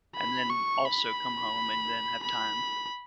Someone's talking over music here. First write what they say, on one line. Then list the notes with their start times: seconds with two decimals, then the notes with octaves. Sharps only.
and then also come home, and then have time.
0.16 B5
0.50 C#6
0.85 B5
2.23 B5